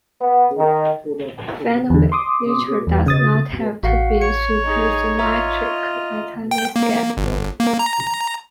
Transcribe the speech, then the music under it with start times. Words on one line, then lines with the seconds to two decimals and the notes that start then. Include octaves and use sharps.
Finally, Nature does not have to be supersymmetric at any scale.
0.21 B3
0.58 D#3
1.90 E2 D3
2.12 C6 D6 D#6
2.87 E2
3.06 C#3 D#6 A6
3.83 A1 F#4 F5 F#5
4.22 C#5 C#7
4.64 D#4 G#4
5.19 F4 D#5 E5 A#5
6.51 G5
6.76 A#3
7.17 G1
7.60 A#3
7.79 A#5